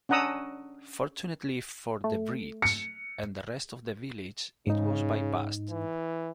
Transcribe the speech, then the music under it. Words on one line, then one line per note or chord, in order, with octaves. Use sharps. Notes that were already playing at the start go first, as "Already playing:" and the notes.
Fortunately for the bridge, and the rest of the village, it was bypassed.
C#4 D4 F#5 A#5 D#6 E6
A3
C#7
G#2 C#3 D#4
E3